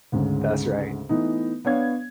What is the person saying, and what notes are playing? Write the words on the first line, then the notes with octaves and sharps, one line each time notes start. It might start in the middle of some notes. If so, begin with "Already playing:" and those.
That's right.
D2 G#2 C#3
E3 A3 B3 D#4
B3 D4 C#5 F5 G#6